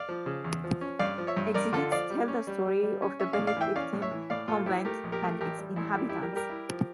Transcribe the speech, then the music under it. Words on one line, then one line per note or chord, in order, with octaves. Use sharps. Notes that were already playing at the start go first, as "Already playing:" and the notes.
Exhibits tell the story of the Benedictine convent and its inhabitants.
Already playing: D5 F5
F3
C#3
E2
F3
C#4
G2 D5 F5
F3
C#5 E5
G2
G2 A#4 D5
D3 F4 A4
F3 D5 F5
G3
C#4
G3
G3
G3
C#4
C#4 C#5 E5
D5 F5
A2
D5 F5
E3 E5 G5
C#4 D5 F5
A2
C#5 E5
E3
A2 D5 F5
A2 F4 A4
F3 E4 G4
A3 G4 A#4
A#1
G4 A#4
A3
A1 G4 A#4
G3
A1 E4
G3 E4 G4
G3 E4 G4
G4 A#4
G3 G4 A#4
E4
F3